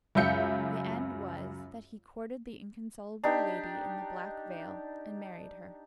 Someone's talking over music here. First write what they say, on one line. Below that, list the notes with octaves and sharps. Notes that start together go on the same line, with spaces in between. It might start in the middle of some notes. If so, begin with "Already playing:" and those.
The end was, that he courted the inconsolable lady in the black veil, and married her.
C#2 F#2 E5 G6 C#7
D4 D#4 G4